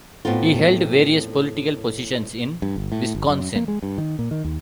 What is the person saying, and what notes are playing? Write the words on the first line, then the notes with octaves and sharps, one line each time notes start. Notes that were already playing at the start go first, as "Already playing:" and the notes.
He held various political positions in Wisconsin.
A2 B3 C4 D#4 F4
G2
G1
A2
G1
F#2
A#3
G#3
G2
D#3
A#2
D#3
D#2